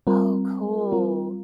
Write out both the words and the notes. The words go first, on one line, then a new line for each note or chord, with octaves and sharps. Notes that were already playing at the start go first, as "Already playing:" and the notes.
Oh, cool.
G3 C4 F4 A#4
G3 C4 F4 A#4